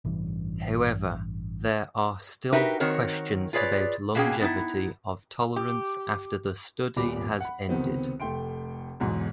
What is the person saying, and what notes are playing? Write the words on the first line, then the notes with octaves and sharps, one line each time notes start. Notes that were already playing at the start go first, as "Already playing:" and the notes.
However, there are still questions about longevity of tolerance after the study has ended.
A1 G2 C3 E3
D#4 F#4 G4 A#4 B4 E5
D#3 C4 F#4 A#4 C#5
F4 G#4 B4 C#5 D5
B2 A#3 C#4 G#4 G5
B3 D#4 E4
G4
D#1 A#2 G3 B3 B5 D6
F#5 B5
C#2 C3 D#3 B3 C4
F1 A3 G5 C6 D7
B1 E2 G#2 B2